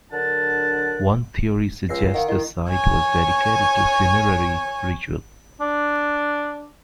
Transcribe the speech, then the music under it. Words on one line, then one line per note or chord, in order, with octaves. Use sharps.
One theory suggests the site was dedicated to funerary ritual.
D3 F#3 D4 A#4 F#5 A5
C#2 E6 A#6 C7
D#3 F5 F#5
D#3 E4
C#5 G#5
D4